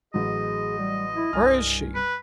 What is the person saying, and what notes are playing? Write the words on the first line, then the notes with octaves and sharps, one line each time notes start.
"Where is she?"
A1 F#3 G#4 D#5
G3
E4
C2 G2 G#5 F6
B4